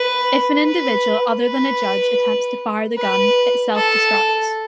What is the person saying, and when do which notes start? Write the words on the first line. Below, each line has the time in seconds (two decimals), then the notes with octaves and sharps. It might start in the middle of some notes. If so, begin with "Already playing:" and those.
If an individual other than a judge attempts to fire the gun, it self-destructs.
Already playing: B4
0.64 B4
1.42 B4
2.97 B4
3.75 A4